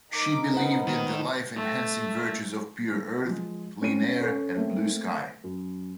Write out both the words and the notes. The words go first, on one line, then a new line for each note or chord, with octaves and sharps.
She believed in the life-enhancing virtues of pure earth, clean air and blue sky.
D#4 A#4 D6
B3 C5 D#5 F#5
D#3
A3
F3 G#3
C4 C#4 C#5 D#7
C#4 A4 C#5
A3 A#3 C4
F#2